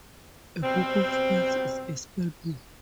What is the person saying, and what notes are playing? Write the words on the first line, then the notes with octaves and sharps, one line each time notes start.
A book of spells is a spellbook.
B2 G3 C4